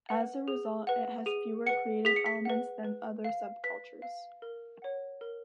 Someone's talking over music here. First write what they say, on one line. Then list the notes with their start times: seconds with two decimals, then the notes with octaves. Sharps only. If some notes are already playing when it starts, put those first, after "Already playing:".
As a result, it has fewer creative elements than other subcultures.
0.09 B4 F#5
0.48 G#4
0.87 B4 F#5
1.26 G#4 D#7
1.66 B4 F#5 C#7
2.05 G#4 B6
2.16 C#7
2.26 B6
2.45 B4 F#5
2.84 B4
3.24 F5
3.64 B4 B6
4.02 F5
4.42 A#4
4.82 C#5 F#5
5.21 A#4